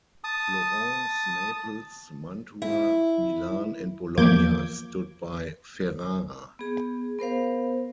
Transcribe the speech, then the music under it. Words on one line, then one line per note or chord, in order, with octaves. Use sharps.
Florence, Naples, Mantua, Milan, and Bologna stood by Ferrara.
A5 D#6
E4
E2 F3 A#3 D6 G6 G#6
B3 G#4
B3 A#4 C5 F5